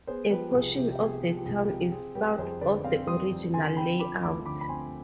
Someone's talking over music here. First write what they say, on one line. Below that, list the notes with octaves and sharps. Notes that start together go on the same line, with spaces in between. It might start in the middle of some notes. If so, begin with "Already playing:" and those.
A portion of the town is south of the original layout.
B3 G#4 C5
F3 G4 B4
C2 G#4
C3 G4
G4
B3 G#4
F3
G4
C2 G#4
C3 G4
C4 G#4
G3 G4 B4
F2 G#4 C5
D3 B4 D5
C4 D5 F5
G3 C6 D#6
F2
D3 G#5 C6
C4 G5 B5
F3 B5 D6
D2 B5 D6
D3 B5 D6
B5
C4 G#5 C6